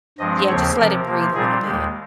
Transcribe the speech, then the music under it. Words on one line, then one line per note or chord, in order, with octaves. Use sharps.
Yeah, just let it breathe a little bit.
G2 F3 G#3 C4 D#5
D#2 C#3 F3 C4 C#5
C3 F3 C4 A#4
C3 F3 A#3
A#2 G3 C4 G#4
D#2 D#3 G#3 G4